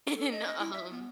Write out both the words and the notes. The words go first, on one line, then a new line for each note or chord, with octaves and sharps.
And, um
A4
D#5
D#5
E4
E5
B3